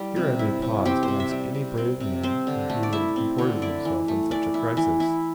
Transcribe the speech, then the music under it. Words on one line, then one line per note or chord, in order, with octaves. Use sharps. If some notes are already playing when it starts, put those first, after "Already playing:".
Here I may pause to ask any brave man how he would have comported himself in such a crisis.
Already playing: G3 E4
C3
E4
C3
C4 G4
C5
C3
E5
G3
C3
C4
C3
C4 C5
D3
A3
D5
E4 E5
C4
D3
E4 D5
E3
A3
E3 D5
E4
E3
E4